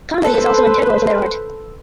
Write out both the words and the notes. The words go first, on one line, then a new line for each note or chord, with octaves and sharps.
Comedy is also integral to their art.
A4 B4 C5